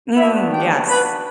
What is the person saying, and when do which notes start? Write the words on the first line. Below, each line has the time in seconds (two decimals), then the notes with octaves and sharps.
Mm, yes.
0.16 B3 D4 E4 F#4 E5
0.52 G4 G5
0.88 B4 B5